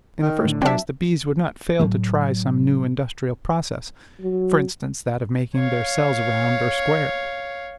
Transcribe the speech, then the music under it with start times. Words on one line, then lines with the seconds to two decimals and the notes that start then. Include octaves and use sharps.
In the first place, the bees would not fail to try some new industrial process; for instance, that of making their cells round or square.
0.22 D#3
0.45 A2 D3
0.62 F#3 C4 D4 E5 G5 A5
1.80 A2 F#3
4.21 F#3
5.56 C#5 F5